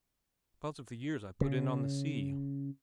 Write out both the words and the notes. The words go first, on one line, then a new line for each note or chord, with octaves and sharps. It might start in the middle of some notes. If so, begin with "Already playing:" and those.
Because of the years I put in on the sea.
C#3